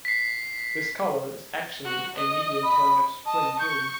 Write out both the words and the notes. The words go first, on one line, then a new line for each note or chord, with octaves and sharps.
This color is actually a medium tone of "spring green".
B6 C7
F#4
D#5
B5
D#5 A5
C#6 G6